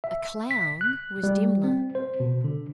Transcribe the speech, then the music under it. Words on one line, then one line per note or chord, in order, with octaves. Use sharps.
A clown was Dimmler.
E5
B6
F#6
G3
C4
C5
B2
D3